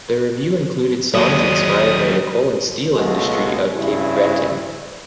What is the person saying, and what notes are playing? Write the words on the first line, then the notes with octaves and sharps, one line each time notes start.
The revue included songs inspired by the coal and steel industry of Cape Breton.
D#2 F#3 G#3 D5 D#6
C#2 B2 G#3 A3
G2 C#3 E4